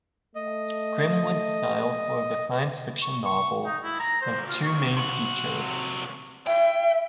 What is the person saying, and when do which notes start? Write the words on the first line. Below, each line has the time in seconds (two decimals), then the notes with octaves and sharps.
Grimwood's style for the Science Fiction novels has two main features.
0.35 A3 D#5
3.02 C#6
3.25 C#6
3.66 D#4
3.84 E4
4.00 A#5
4.21 C5
4.49 F4
4.65 C#6
4.97 C3 F#4
6.47 E5 G5